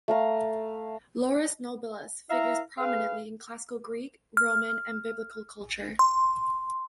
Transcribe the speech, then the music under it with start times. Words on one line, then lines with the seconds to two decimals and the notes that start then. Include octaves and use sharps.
"Laurus nobilis" figures prominently in classical Greek, Roman, and Biblical culture.
0.08 A3 F5 A#5
2.30 E4 E5 F5 A#5
2.78 G#4 B4 F5
4.37 F6
5.99 C6